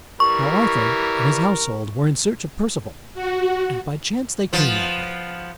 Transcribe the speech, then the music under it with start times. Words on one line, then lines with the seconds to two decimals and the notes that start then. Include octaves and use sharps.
Now Arthur and his household were in search of Perceval, and by chance they came that way.
0.20 E3 G3 A#4 C#6
3.14 F#4
4.53 F3 B3